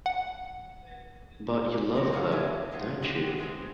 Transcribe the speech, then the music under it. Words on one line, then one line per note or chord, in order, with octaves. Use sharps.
But you love her, don't you?
F#5
F#3 A3 C4 F#4 A#4
G#4 A#4 C#5 D5 F5 F#5
G4 A#4 C#5 E5 G#5
A#2 F3 F#3 A3 B3 F4
C3 G3 G#3 D4 F#4 G4
C3 G#3 B3 C4